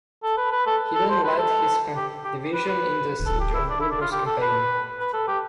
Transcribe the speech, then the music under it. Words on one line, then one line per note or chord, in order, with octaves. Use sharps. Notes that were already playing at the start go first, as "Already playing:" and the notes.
He then led his division in the Siege of Burgos campaign.
A4
B4
B4
A4
A4
C5
B4
A4
G4
G4
B4
B4
A4
G4
E4
D4
E4
D4
F4
G4
A4
B4
B4
A4
G4